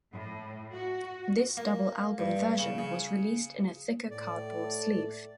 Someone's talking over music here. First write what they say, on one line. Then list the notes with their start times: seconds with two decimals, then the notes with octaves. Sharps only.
This double album version was released in a thicker cardboard sleeve.
0.13 A2
0.73 F#4
1.57 A#3
2.19 G2
2.59 C#3
2.78 C#3
4.11 A2 A4 D5